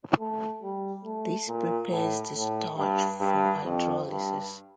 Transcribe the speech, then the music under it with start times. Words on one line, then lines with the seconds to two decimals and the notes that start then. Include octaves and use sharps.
This prepares the starch for hydrolysis.
0.19 A3
0.63 G3
1.05 A3
1.48 A#2
1.91 A2
2.34 A2
2.77 G2
3.20 G2
3.63 F2
4.06 G2